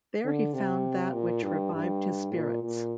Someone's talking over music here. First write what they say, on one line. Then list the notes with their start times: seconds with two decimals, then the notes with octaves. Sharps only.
There he found that which revived his spirits.
0.24 D3
0.54 C3
1.13 A#2
1.43 G2
1.73 G2
2.33 A#2
2.63 A#2